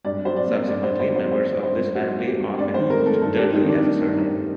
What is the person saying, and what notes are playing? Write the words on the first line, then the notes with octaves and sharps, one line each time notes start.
Subsequently, members of this family often used Dudley as a surname.
G2 D5
F#3 C5
D5
A#3
G2 D5
C5
G2
C5
F#3
C5
A#3 C5
G2
C5
G2
F#3 F#4
A#3
G4
G2
G2 D5
C5
D#3
A#4
A3 A4
G2 A4
G4
G2
D#4
D#3
D4
A3 D#4
G2
D#4
G2